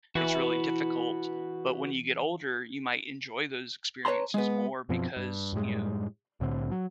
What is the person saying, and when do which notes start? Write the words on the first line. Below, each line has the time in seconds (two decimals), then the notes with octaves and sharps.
it's really difficult, but when you get older, you might enjoy those experiences more because, you know,
0.15 E3 F#4 B4
4.05 B4 C#5 A5 A#5 C6
4.34 G#3 B3
4.89 F#2 B2 F3 C4
5.17 G2
5.52 F#2 A2 G3 G#3
6.40 C2 A2 D3 C4
6.71 F#3